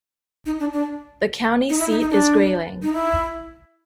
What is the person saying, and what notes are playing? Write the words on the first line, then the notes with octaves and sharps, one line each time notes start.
The county seat is Grayling.
D#4
D4
D4
D#4
E4
D#4
D#4
D4
D#4
E4